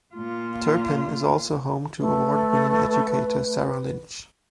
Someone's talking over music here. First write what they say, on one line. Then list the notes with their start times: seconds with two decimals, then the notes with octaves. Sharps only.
Turpin is also home to award winning educator Sarah Lynch.
0.15 A#2 F4
1.99 A3 B4